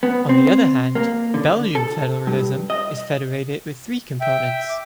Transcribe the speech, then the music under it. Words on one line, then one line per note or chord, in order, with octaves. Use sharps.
On the other hand, Belgian federalism is federated with three components.
B3
C4
A#3
D3
A4
G2
D#5
E5 G5
D6